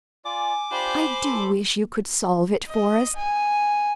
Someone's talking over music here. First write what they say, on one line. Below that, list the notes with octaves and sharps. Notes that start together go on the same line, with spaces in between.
I do wish you could solve it for us.
F4 D5 G#5 D6
D4 F4 G4 C5 B5
A4 C6
D#5
G#5